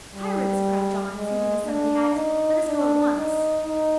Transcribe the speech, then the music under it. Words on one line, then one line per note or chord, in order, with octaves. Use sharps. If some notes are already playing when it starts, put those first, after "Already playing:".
"Pirates," cried John, seizing his Sunday hat, "let us go at once."
G3
G#3
D4
D#4
D4
D#4
D#4